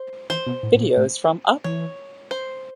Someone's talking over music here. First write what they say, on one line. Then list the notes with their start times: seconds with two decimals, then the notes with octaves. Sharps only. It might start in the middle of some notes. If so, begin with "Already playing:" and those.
Videos from Up!
Already playing: C5
0.30 E3 C5
0.46 B2
0.63 A2
0.75 A2
0.81 A#2
0.97 A2
1.64 E3 C#5
2.31 C5